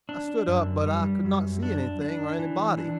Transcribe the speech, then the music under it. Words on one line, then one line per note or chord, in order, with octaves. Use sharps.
I stood up, but I could not see anything or anybody.
D4
F#2
G3
F#2
D4
D4
E3
D4